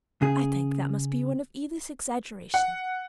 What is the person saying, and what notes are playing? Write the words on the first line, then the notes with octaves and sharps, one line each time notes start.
'I think that must be one of Edith's exaggerations.
C#3 G#4
F#5